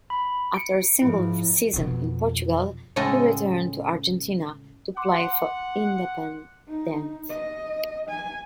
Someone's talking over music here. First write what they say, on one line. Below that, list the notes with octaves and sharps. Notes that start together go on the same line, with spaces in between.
After a single season in Portugal, he returned to Argentina to play for Independiente.
B5
C#7 D7
G#2 F3 E4
F2 B2
A2 C#3 G#3 A4 D#5
F#5 C6 D6
D#4
D#5
G#5